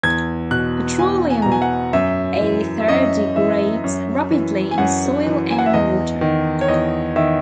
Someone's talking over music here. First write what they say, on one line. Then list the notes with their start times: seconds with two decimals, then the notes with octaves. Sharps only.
Petroleum ether degrades rapidly in soil and water.
0.03 E2 G#6
0.51 B2 F#6
0.99 E2 G#5
1.30 G#5
1.42 B2 A#5
1.52 G#5
1.62 F#5
1.93 F#2 E5
2.41 E3
2.80 E5
2.88 F#2 D#5
3.36 E3 E5
3.84 F#2
4.30 E3
4.71 G#5
4.78 F#2 F#5
5.26 E3
5.51 G#5
5.58 F#5
5.66 E5
5.73 E2 D#5
6.21 D#3
6.61 C#5
6.68 E2 D#5
7.16 D#3 E5